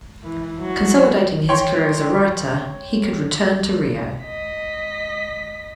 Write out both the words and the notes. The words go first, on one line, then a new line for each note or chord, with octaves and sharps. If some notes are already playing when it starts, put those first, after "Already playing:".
Consolidating his career as a writer, he could return to Rio.
E3
F#3
C#5 G5 C6
D#5 B6